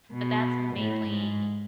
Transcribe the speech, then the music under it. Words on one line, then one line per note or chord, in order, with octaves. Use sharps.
But that's mainly,
B2
A2
G#2